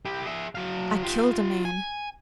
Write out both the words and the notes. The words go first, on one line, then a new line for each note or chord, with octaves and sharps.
I killed a man.
E4 G4
G#4 E5
F#3 F5
F4 G4
G#5